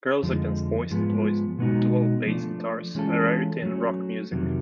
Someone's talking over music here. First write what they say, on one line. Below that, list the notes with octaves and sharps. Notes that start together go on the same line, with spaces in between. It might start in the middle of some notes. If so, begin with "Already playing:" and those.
Girls Against Boys employs dual bass guitars, a rarity in rock music.
F2 D3 F3 G#3
G#2 F3 G#3 B3
B2 G#3 B3 D#4 F#4
F3 A3 D4
E3 G#3 C#4 F4 A4
F#3 A3 C#4
F2 C3 D#3 F#3